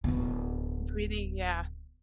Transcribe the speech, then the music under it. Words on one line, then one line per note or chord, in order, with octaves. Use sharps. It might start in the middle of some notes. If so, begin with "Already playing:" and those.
breathing Yeah,
D1 B2